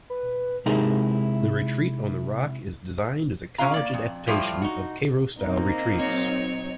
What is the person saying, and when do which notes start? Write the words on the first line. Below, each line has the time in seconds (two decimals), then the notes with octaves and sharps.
The Retreat on the Rock is designed as a college adaptation of Kairos-style retreats.
0.10 B4
0.66 C3 G#3 D#4 E4 G#4 A#4
3.58 C#4 F4 F5 A#5
3.74 A#3 D5
3.93 F2
4.27 A2 F3 G3 A3 F4
4.62 D#4 F#4
5.40 A#3 C4 D#4 A#5
5.99 F#3 C#5